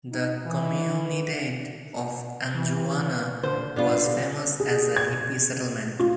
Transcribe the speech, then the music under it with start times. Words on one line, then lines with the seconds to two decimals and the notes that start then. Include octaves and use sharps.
The "Comunidade" of Anjuna was famous as a hippie settlement.
0.11 D#4
0.44 E3
2.55 E3
3.43 D3 C5
3.76 D3 G3 B3 F4
4.60 G#4
4.96 G#6
6.00 F4